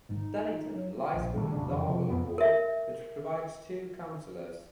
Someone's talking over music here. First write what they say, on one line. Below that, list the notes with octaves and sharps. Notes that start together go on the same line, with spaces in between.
Dallington lies within the Darwell ward, which provides two councillors.
G#1 D#4
F#3
A#1
A2 D#3 G3 A3
E1 A1 C#3 D4
F2 C#3 E3
C3 F3
A1 F2 B3
A#4 E5